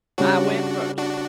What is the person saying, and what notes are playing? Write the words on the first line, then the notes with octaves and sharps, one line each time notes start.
I went first.
C#3 G3 C#4 D4 F#4
D4 F#4